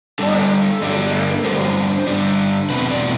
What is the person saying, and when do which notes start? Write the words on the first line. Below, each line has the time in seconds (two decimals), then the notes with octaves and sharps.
Forests play varying roles in his books.
0.19 G2 D3 G3 D4 A4
0.82 G2 D3 G3 D4
1.44 G2 D3 G3 D4 C5
2.07 G2 D3 G3 D4
2.70 E2 B2 A3 C4 B4
2.90 D5